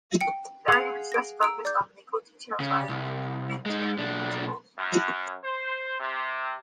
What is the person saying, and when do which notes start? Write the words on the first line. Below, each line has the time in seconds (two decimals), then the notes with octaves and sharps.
The arguments thus focused on legal details rather than humanitarian principles.
0.21 G5 C#7
0.68 G#4 F5 F#5 C6 F7
1.12 A#6 D7
1.41 A#5 E6 D7
1.65 D5 D6 G6
2.60 C#3
2.89 C2
3.66 G#3 D#4
3.98 B1 D4
4.78 F#2
5.44 C5
6.00 C3